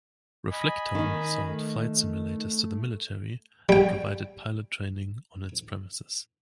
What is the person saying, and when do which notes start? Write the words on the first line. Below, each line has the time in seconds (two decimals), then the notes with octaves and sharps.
Reflectone sold flight simulators to the military and provided pilot training on its premises.
0.50 D#5 G#5 B5
0.95 D#3 D#4
1.45 A3
3.69 G3 G5